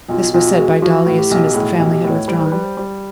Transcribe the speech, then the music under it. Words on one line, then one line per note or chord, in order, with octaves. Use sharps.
This was said by Dolly as soon as the family had withdrawn.
B1 F4
B1 F4
G4
G#3 F#4
F3 F#4
A2
G4
B1
A2 G#4
G4
B1
G4
A2
C#5
G3 C5
C5
B4
G3
C5
G3